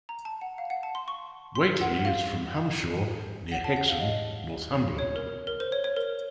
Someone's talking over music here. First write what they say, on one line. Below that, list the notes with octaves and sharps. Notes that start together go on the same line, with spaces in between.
Whately is from Humshaugh, near Hexham, Northumberland.
A#5
A5
F#5
F5
F#5
A5
C6
C#6
C6
F#5
F5
F#5
A5
F#5
F5
D#5
C#5
A#4
A#4
C5
C#5
C#5
A#4